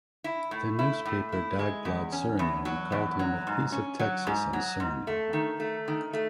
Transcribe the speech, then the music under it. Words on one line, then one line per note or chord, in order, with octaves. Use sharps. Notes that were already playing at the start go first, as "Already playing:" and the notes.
The newspaper "Dagblad Suriname" called him "a piece of Texas in Suriname".
E4
A2
E4
A2
E4
G#3
E2
C#4
E2
F#3
E2
F#3
G#2
C#4
F#3
G#2
F#3
G#2
A3
D#3
A3
D#3
A3